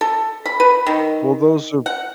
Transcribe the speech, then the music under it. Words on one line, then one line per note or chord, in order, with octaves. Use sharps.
Well, those are
A4
B5
B4
D#3
F#5